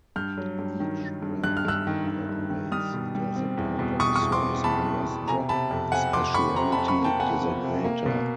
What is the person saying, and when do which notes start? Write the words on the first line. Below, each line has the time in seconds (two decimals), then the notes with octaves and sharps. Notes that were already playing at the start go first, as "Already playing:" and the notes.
Each branch incorporates it as part of a service member's job specialty designator.
0.16 G2 F6 G6
0.38 F#3
0.59 G2
0.80 D#3
1.01 D#3
1.23 G2
1.44 G2 F#6
1.57 F6
1.65 G2 E6 F#6
1.87 D#3
2.08 D#3
2.29 G2
2.50 D#3
2.72 G3 D#6 F6
2.93 B2
3.15 G3
3.36 C4
3.57 E2
3.79 B2
4.00 B2 C#6 D#6
4.16 C#6 D#6
4.22 E2
4.32 C6 D6
4.43 C4
4.64 E2 A5 B5
4.85 E2
5.06 B2
5.28 C3 G#5 A#5
5.49 C3 A5 B5
5.71 F2
5.92 C3 F#5 G#5
6.13 F2 C6 D6
6.34 F2 B5 C#6
6.56 C3 A#5 C6
6.72 A5 B5
6.78 F2
6.88 B5 C#6
6.99 A#3
7.04 G5 A5
7.20 C3 F#5 G#5
7.41 F3
7.63 C3
7.84 A#3
8.06 B2